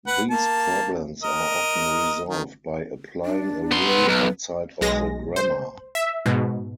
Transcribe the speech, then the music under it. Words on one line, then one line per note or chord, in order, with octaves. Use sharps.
These problems are often resolved by applying a rule outside of the grammar.
B4 F#5
A#3 A5
A#4 D#5
D#3
D4
B3 C6
B4
B1
B1 G#3 A#6
C5
E5
G#2 B2